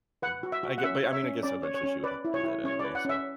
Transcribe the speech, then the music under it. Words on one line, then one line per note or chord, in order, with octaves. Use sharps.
And I get but, I mean, I guess, eventually she would have to do that anyway. So
B4 F#5
F#4
E5
F#4
F#5
C#4 E5
C#5
E5
C#4
C#4 D5
C#5
C#5
C#4
B4 D5
E4
C#5
E4
C#4 C#5
B4 D5
F#5
C#4 E5